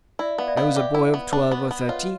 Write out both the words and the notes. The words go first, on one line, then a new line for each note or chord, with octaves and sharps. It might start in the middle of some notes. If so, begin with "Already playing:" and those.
I was a boy of twelve or thirteen.
E4 D5 E5
B3 F5
D5 E5
B3
D#5 F5
G4 D5 E5
E4
B3
D4
B3
B3
F4 C#5 D#5